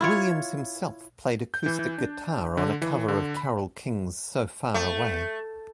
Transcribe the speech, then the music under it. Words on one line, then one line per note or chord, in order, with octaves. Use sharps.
Williams himself played acoustic guitar on a cover of Carole King's "So Far Away".
E4 F4 C#5
G6
E3
E3
D4
D3
E3
D3
B5
A3